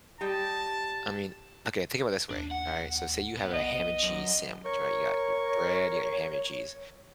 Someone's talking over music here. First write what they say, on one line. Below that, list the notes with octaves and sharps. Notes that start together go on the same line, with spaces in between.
I mean, okay, think about it this way, alright. So say you have a ham and cheese sandwich, right? You got your bread, you got your ham and your cheese.
G3 D#5 G5 A5
D#2 D4
F#5
B3
B1 D#5
F#2
A#4 C#5 C#6